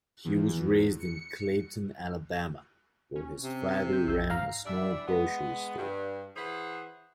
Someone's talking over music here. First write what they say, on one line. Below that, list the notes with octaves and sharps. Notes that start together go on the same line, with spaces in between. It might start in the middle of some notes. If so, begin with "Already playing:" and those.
He was raised in Clayton, Alabama, where his father ran a small grocery store.
E2
C#7
C#4
C3
C4 G6
A#1 E6 G6
G#2 F5 A#5
E3 G3 D4 D5 E5
G#3 B3
G2
E3 G#4 B4 C5 F#5